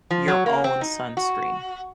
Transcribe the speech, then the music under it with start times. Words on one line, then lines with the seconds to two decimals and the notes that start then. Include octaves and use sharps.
your own sunscreen,
0.11 F3
0.28 F#3
0.46 A#3
0.64 C4
0.81 D#4
1.17 F#4